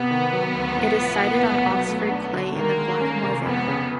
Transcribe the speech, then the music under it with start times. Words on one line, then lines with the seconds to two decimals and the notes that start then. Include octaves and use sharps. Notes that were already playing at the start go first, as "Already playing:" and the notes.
It is sited on Oxford clay in the Blackmore Vale.
Already playing: C3 B3
0.11 D#3
0.33 F#3
0.55 D2
0.77 A2
1.00 F3
1.22 A#3
1.44 B1
1.66 F#3
1.89 A3
2.11 D4
2.33 D3
2.56 D#3 A#3
2.78 G#3
3.01 C#4
3.23 C3
3.45 F2 B3
3.68 C#3